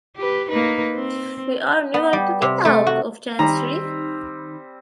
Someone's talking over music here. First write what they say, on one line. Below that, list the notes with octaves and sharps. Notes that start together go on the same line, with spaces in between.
We are never to get out of Chancery!
G4 B4
A#3 D#4 B4
C4
B3
G3
C3
A3
F#4
D#3 G3 C4 D#4 A#5